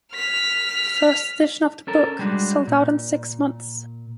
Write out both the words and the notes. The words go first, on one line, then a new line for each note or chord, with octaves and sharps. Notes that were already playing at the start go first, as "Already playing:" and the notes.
The first edition of the book sold out in six months.
F6 B6
C#4 A4 A#4
G3 G#3 D4 F#4
A#2